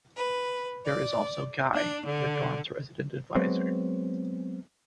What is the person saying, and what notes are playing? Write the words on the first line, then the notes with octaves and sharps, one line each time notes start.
There is also Guy, the dorm's resident adviser.
B4
D5
D4
D3
F#3 G#3 B3 C4